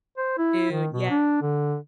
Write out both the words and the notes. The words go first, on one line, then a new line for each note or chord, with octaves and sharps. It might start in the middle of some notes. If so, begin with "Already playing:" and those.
Dude, yeah.
C5
E4
D#3
B2
D4
D3